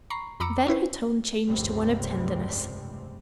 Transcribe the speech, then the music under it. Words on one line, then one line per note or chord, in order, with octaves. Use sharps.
Then her tone changed to one of tenderness.
A#5 B5 C#6 C7
F2 A#5 B5 D6 E6 C#7
C#4 E4 B4 C5
F1 C#2 G2 C3 G3 C4